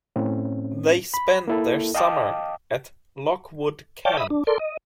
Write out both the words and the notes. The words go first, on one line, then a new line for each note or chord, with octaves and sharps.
They spent their summer at Lockwood camp.
A2 C4 C#4
B5
A#3 E4 A4
D#5 F5 G5 A5 D6 D#6
C#5 D5 F5 G5 A5
E5 B5 D#6
D4
A4 A#4 D5 C6
D#5